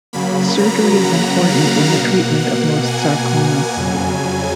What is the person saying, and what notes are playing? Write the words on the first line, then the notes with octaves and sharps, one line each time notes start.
Surgery is important in the treatment of most sarcomas.
C#3 F#3 A#3 B5
A#5
F#5
F5
B2 A#3 F#5
F#5
G#5
F2 C#3 F#3